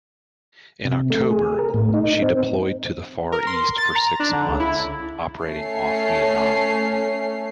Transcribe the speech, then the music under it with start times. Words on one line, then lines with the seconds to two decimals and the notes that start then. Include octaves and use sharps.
In October she deployed to the Far East for six months, operating off Vietnam.
0.85 C3
1.10 A3
1.31 G#4
1.59 A#4
1.74 A2
1.94 D#4
2.22 C4
3.32 A#4
3.47 C6
3.78 A6
3.95 A#5
4.20 D4
4.33 D3
4.48 C#2
4.60 E4
5.43 A3 C#4 C#5 C7